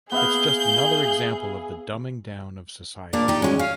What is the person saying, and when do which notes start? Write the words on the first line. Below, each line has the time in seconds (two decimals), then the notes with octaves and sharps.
It's just another example of the dumbing down of society.
0.12 B3 G#4 E5 F5 G6
3.13 A#2 A#3 D4 D5
3.28 D#4 G4
3.42 G#3 C#4 F4 F#4
3.59 C#4 F5